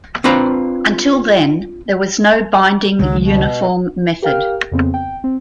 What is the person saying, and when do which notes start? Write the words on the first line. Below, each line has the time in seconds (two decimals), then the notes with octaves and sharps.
Until then there was no binding uniform method.
0.24 C4 D4 F4 B4 F5 A#5
2.99 C#2 D#3 F#3 G#3
3.23 B2
4.22 G4 A#4 F5 G5 F6
4.72 F2 C#3 B3 C4
4.94 G5
5.24 C4